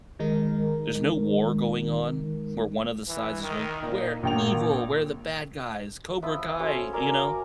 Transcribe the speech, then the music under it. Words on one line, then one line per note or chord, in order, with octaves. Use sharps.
there's no war going on, where one of the sides is going, "We're evil. We're the bad guys. Cobra Kai." You know?
D#3 G#3 D#4 A#4
E3
D#3
A#2 D#4
A#1 F#3 A#3 G5 F7
F3 B3 E5
C#4 F#4 A4 C5
A#4 D5 G#5 A#5